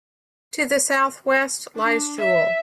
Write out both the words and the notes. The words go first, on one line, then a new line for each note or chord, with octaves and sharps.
To the southwest lies Joule.
D4
E5